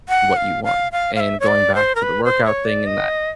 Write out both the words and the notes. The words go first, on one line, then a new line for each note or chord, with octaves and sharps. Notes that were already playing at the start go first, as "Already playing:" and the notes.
what you want, and going back to the workout thing, and that
F#5
F5
F5
F5
F5
E5
C#5
D5
C5
A#4
B4
C5
C#5
D5
D#5